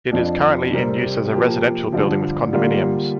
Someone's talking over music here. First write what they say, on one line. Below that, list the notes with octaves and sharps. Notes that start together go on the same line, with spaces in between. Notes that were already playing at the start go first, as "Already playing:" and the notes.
It is currently in use as a residential building with condominiums.
F2 F3 D4
C3 G3 C4 A#4
F3 A#3 G4
G2 D3 F3
D3 G3 A#3 F4